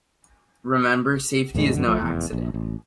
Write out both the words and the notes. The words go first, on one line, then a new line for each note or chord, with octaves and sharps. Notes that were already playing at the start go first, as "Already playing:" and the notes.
Remember safety is no accident.
E2 A2 D3 G#3
F#2 D3
F3 G#3 A3
F1 E2
A#1
A1